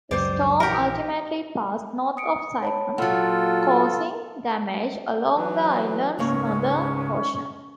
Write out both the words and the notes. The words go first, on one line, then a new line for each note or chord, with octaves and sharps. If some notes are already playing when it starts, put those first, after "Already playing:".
The storm ultimately passed north of Saipan, causing damage along the island's northern portion.
C#2 F#2 G3 C5 D5
A#1 E3 G4 A#4 F#5
D#6 C#7 D7
C#5 A5 B5
A#2 F#3 F4 A4 F#5
E3 F#3 B4
C#2 G#2 A#3 C#4 C#5 C#6